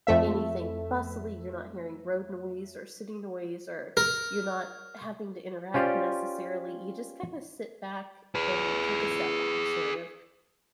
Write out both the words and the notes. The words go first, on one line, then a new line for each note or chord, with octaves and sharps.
anything bustily, you're not hearing road noise, or city noise, or you're not having to interact necessarily, you just kinda sit back, and take a step back sort of,
F2 A3 E5
A#4
C#4 F4 G4 C5 D5
G#4 B4